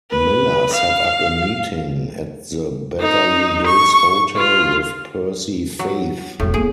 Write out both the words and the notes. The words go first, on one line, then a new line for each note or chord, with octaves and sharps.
Miller set up a meeting at the Beverly Hills Hotel with Percy Faith.
B4
F5
D#4
C#6
F4
F#3
E1 A2 F#3
A3 B3 G#4